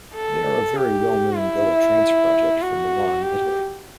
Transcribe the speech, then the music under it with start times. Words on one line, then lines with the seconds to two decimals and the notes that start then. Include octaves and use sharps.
They are a very well known Goa trance project from Milan Italy.
0.15 A4
0.77 G4
1.38 E4
2.62 F#4
3.22 G4